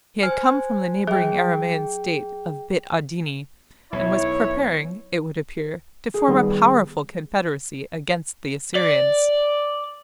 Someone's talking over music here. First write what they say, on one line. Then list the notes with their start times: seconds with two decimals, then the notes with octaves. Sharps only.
He had come from the neighbouring Aramaean State of Bit-Adini, and was preparing, it would appear, to form a powerful confederacy against the Assyrians.
0.23 C5 G#5 F6
1.07 F#3 G#4 G5
3.92 B1 E4 C#5
6.14 G#4
6.28 D#3 G3 B3
8.75 D5